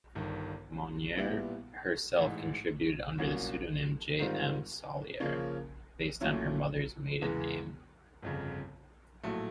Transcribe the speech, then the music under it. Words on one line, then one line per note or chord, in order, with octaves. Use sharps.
Monnier herself contributed under the pseudonym J-M Sollier, based on her mother's maiden name.
G1 G2 D#3
A#2 G3 B3 E4
A1 G#2 E3
C2 A#2 F#3 A#3 C#4
G#2 D#3 G3 C4 F4
C#3 F3 A#3 C#4
A#2 F#3 A3 C#4 E4
E2 C#3 E3 G#3 B3
G1 F2 C#3
A#1 A2 F#3 A3